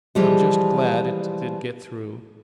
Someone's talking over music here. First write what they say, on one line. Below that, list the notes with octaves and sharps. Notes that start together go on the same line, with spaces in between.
"I'm just glad it did get through."
E3 F3 G3 G#3